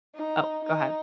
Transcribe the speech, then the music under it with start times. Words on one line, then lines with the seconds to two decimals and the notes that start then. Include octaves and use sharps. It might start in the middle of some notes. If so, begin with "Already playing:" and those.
Oh, go ahead.
0.15 D#4
0.64 D#4